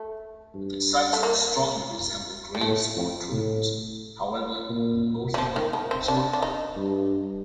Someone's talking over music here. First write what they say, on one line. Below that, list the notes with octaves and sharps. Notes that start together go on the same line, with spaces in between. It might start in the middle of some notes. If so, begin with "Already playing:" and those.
The sites strongly resemble graves or tombs; however, no human bones are found.
Already playing: A3
G2
A3
A#3
G3
A2 A3
F2
A2
A#2
G3
F3
D#3
F3
C4
C3 D4
D4
D#4
G2